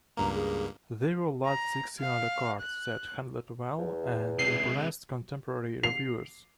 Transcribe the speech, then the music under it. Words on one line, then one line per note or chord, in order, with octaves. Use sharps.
They were large six-cylinder cars that handled well and impressed contemporary reviewers.
C#2 G2 A#3 A#5
G#4
A#5
F5
F#6
E2
C3 G#3 C7
C7 F7